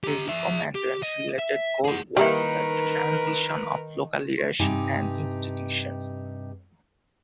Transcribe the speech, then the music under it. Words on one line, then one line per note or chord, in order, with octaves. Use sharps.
A recommended related goal was the transition of local leadership and institutions.
G4 A#5
G#4 E5
G4
D#5
E5
G#4 F#5
D#3 G3 A#3 E4 A#4 B4
G2 C3 D#4 G4 G#5